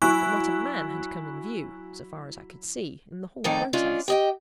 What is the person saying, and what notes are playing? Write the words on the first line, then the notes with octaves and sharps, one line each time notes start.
But not a man had come in view, so far as I could see, in the whole process.
F#3 E4 G#5 C#6 F#6
F2 D#3 A3 D#4 D5 G#5
G#3 C#4 D4 F4
G4 D#5 G5